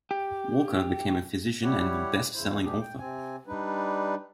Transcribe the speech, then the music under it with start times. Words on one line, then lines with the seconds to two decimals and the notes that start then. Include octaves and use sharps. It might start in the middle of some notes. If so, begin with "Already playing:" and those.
Walker became a physician and a best-selling author.
0.11 G4
1.63 G3 E4 G4 C#5 F#5
2.34 E2 G2 C#3 E4 C5
2.63 D2 C3 B3 D4 G4 G#4
2.80 G5
2.99 C3 C4 G#5
3.47 G3 D4 D#4 B4